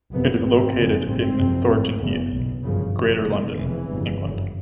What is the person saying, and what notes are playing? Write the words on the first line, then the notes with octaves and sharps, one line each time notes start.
It is located in Thornton Heath, Greater London, England.
F#1 F2 C3 B3
G#1 G#2 C4
F#1 F2 C#3
A1 G2 C4
F#1 F2 C3
A1 G#2
F#1 E2 C#3
B1 B2
G1 F#2 C#3 F3
G1 F2 C3
F#1 E2 B2
F1 F2 C#3 E3
G1 F2 C#3
F#1 F#2 C#3